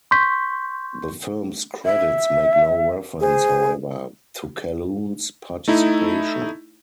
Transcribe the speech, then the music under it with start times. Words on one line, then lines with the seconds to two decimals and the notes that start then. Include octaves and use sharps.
The film's credits make no reference, however, to Calhoun's participation.
0.11 C6 C#6 G6 B6
1.85 E5
3.20 G#4 C5
5.68 A3 D#4 E4